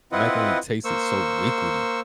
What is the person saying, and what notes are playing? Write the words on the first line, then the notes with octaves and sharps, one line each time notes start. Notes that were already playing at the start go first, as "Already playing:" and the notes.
macaroni tasted so liquidy.
C4 E4 F4 B4 D#5 F#5
A#3 C5 C#6 E6